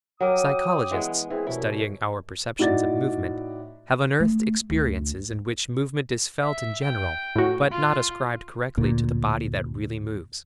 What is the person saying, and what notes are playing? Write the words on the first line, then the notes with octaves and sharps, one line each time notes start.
Psychologists, studying our perceptions of movement, have unearthed experiences in which movement is felt in general but not ascribed correctly to the body that really moves.
F#3 A#4 G5 D6 D#6
E3 G#3 B3
E3 C4 G#4
C2 F#2 B2 E4
A2 D#4 F#4 D5 A6
A3
D2
E5
G5
A2 F#4
F4
D2 A#2